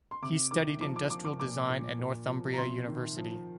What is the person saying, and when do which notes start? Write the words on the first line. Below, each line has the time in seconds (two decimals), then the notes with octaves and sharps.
He studied industrial design at Northumbria University.
0.11 C6
0.22 C3 D6
0.51 D#3 D6
0.81 F3 D6
0.96 D6
1.10 F3 D6
1.25 D6
1.40 A#2 D6
1.69 A#2
1.99 A#2
2.28 F3
2.53 A#5
2.58 C3 C6
2.88 D#3
3.17 F3